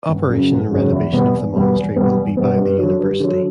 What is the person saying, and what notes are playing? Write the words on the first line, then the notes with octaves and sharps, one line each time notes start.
Operation and renovation of the monastery will be by the University.
G1
F#2 C#3
G1
F#2 C#3
E2
B2 G3 B3
E2
B2 G3 B3
E2
B2 G3 B3
E2
B2 G3 B3
G2
D3 F#3
G2
D3 F#3